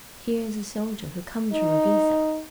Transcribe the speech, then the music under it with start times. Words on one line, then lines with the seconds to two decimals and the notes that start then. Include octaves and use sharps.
Here is a soldier who comes from Iviza.
1.53 D#4